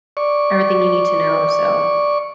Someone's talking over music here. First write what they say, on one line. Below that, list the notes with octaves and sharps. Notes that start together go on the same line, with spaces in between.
everything you need to know. So
D5 C#6